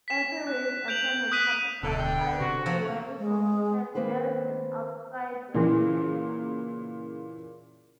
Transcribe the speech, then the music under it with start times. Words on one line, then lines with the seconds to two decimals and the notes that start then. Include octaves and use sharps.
Etheridge attended Capital High School where he competed as an outside linebacker.
0.08 B6 E7
0.47 F#6
0.88 G6 D7 F7 F#7
1.32 D#6 F#6 G6 B6 D#7
1.83 D1 B2 D3 A4
1.99 G5
2.40 C3 F#4
2.66 F3 F#3
3.19 G#3
3.95 D#3 A#3 C4 B4 C5
5.54 A#2 C#3 E3 A#3